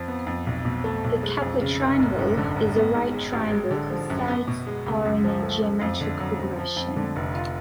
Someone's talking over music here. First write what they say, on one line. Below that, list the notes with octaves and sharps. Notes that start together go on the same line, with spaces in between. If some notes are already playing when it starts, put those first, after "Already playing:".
The Kepler triangle is a right triangle whose sides are in a geometric progression.
Already playing: F2 F3
B3
F2
B1
B2
A3
B1
G#3
F2
C#3
F1
G#1
F#2
D3
G#1
B3
G#2
G#3
A1
G#3
D3
F3
F#2
B3
B2
G#3
C#2
F#2
F3
A3
F#2
F2
D3
F#3
F2
F3
F2
D3
F1
F4